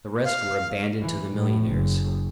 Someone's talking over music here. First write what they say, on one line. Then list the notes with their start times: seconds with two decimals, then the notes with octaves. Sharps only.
The rest were abandoned to the millionaires.
0.24 F5
1.01 E3
1.34 A2
1.69 F#1